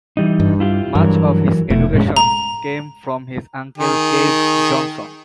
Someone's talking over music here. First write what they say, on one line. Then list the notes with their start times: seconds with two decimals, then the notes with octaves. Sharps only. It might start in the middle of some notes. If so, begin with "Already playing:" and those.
Much of his education came from his uncle Cave Johnson.
0.17 E3 G3 D#4
0.40 G2
0.60 E4 F4 G4
0.95 G2 E3 F#3 A#4
1.70 F1 B2 A3 E4
1.93 A2 G#3 C#4
2.17 A#5
3.78 D#3 G#4